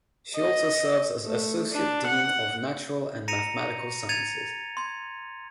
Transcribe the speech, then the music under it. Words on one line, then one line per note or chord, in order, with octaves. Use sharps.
She also serves as Associate Dean of Natural and Mathematical Sciences.
D#5
A3
D4
F#5
A#5 A#6 C#7 D#7 F7
G#6 A6 C#7 D#7 F7
C6 G#6